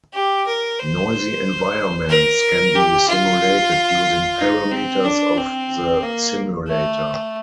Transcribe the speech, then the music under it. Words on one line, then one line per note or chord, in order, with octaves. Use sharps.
Noisy environments can be simulated using parameters of the simulator.
G4
A#4
C5
A#4
G4
F4
D#4
C4
D4
C4
A#3
A3